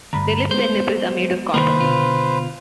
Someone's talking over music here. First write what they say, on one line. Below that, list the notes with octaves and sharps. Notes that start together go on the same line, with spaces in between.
Their lips and nipples are made of copper.
D2 G2 A#5 B5
G#3 B3 C5
C2 D#3 A#3 B4 C5
B2 D3 B3 F4